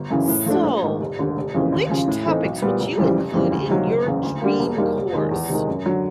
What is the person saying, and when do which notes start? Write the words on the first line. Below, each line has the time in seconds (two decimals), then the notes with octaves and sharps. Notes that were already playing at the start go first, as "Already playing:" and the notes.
So, which topics would you include in your dream course?
Already playing: G1
0.11 F#2 C#3 E3
0.28 A2
0.46 F3 A3 D4
0.64 A#1
0.82 G#2 D#3
1.01 F1
1.19 D#2 D3
1.36 F1
1.55 F2 C#3 E3
1.72 D#2
1.90 C#3 F3
2.08 A2
2.26 E3 A3 C4 D#4
2.45 B1
2.62 A#2 G3 B3
2.80 F1
2.98 F2 C#3 E3 G3
3.16 F1
3.34 F2 C#3 E3 G3
3.52 D2
3.69 C3 D#3 F#3 A#3
3.87 F#1
4.06 E2 C#3
4.23 D2
4.41 D3 G3 A#3
4.60 E1
4.78 D#2 D#3 G3 A#3
4.96 F1
5.14 D#2 D#3 G#3
5.31 E2
5.49 C3 D#3 G#3
5.67 F#2
5.86 D3 F#3